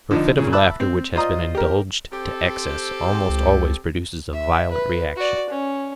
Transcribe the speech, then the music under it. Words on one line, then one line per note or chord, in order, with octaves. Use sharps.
For a fit of laughter which has been indulged to excess almost always produces a violent reaction.
D3 F3 D#4
A#2 C#3
E5 A5 B5 D6 E6 F#6
C4
F4 C5 D5 D#5 A#5 D#6
G4 A#4
C4 G4 A4
C#2
E5
B4
F#4 D5
C#4